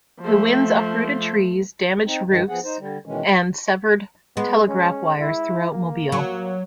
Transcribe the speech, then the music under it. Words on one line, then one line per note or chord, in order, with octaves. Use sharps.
The winds uprooted trees, damaged roofs, and severed telegraph wires throughout Mobile.
F3 A3
C4 D#4
G2 D#3 G#3
F3 B3 G#4 F#5
D#4 C5
D3 G3
B2 D#3 E3 G#3 C#4
G#3 B3
C#4
E4
A#3
F#3